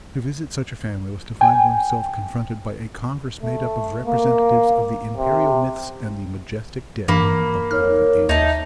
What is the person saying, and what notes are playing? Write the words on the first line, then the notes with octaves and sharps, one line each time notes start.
To visit such a family, was to find one's self confronted by a congress made up of representatives of the imperial myths and the majestic dead of all the ages.
G5 G#5
A3
A#3
C3
G2 E3 A#3 B5
D#4 A#4 C#5 F6
D#2 D#4 E5 A5